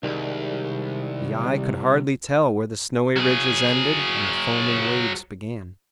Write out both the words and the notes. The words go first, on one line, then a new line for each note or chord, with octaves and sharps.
The eye could hardly tell where the snowy ridges ended and the foaming waves began.
C2 D#3 G3 G#3
F#3 G#4